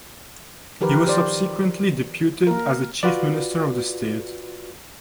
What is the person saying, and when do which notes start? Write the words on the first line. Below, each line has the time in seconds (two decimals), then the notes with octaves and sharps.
He was subsequently deputed as the Chief Minister of the State.
0.81 D#3 F3 G4 A#4 B4
1.06 G4 C5 D5
2.47 A#3 A#4
3.03 F4 F#4 B4 D5